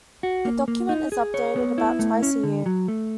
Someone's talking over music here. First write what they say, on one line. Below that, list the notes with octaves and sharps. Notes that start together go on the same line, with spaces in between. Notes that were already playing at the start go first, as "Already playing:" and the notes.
The document is updated about twice a year.
F#4
A#3
A#3
D#4
G#4
C#5
B3
E4
A3
C#4
D3
F#3
A3